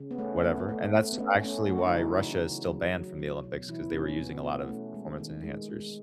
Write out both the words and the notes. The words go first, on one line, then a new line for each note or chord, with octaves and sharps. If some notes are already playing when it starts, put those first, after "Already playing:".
whatever. And that's actually why Russia is still banned from the Olympics 'cause they were using a lot of performance enhancers.
Already playing: C#3
B3
A3 C#4
A3 B3
B3
A3
A3
B3
A3 C#4
A3 C#4
F#3 A3 F#4
C#4
D#4
C#3 E3 E4
C#3
C#3
F#3
F#3
F#3
B2
B2 E3 E4
B2 C#4
B2 B3
A3 B3
A3 C#4
G#3
D#3
G#3
G#3